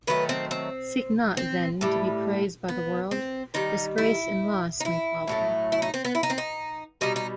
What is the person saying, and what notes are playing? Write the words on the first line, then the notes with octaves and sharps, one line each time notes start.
Seek not, then, to be praised by the world: disgrace and loss may follow.
D#3 F#3 A3 B4
C4
C4
C4
A2 G3
B3
C4
D#3 G3 D#4
E4
D#4
E4
A2 F#3 A3
E4
D#4
C4
B3
E4
D#4
C4
D#4
B2 G3 D#4
D#4